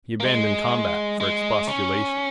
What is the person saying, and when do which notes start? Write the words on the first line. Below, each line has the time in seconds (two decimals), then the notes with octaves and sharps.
He abandoned combat for expostulation.
0.20 A#3
0.25 G#3
1.21 G#3
1.68 C#4